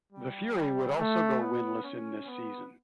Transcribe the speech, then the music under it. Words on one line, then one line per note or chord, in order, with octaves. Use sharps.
The Fury would also go winless in this season.
G3
G3
A3
B3
C#4
B3